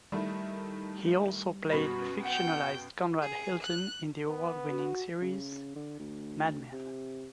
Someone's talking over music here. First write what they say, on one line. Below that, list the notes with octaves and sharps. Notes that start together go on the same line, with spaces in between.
He also played a fictionalized Conrad Hilton in the award-winning series "Mad Men".
D#3 G3 A3 E4
F#2 B2 F#4 B5
F#5 G5 G6
G#4
F#6
B3
F#4
C#3
D3
D2
C3